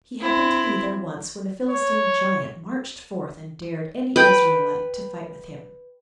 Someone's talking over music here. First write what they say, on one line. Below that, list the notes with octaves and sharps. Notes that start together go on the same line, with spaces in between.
He happened to be there once when a Philistine giant marched forth and dared any Israelite to fight with him.
C4 E4
C#5
B4 G5